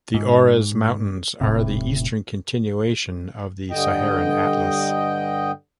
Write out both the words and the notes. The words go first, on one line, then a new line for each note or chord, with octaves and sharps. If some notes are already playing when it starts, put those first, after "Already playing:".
The Aures mountains are the eastern continuation of the Saharan Atlas.
G#2
D#1 A2 C3
G2 D3 D#5 G5